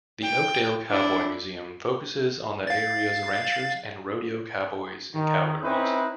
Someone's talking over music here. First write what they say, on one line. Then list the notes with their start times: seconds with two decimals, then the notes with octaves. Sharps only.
The Oakdale Cowboy Museum focuses on the area's ranchers and rodeo cowboys and cowgirls.
0.22 G5
0.89 D4 E4
2.67 F5 A6
5.15 D#3
5.63 C4 C#4 D#4 E4 B4 C5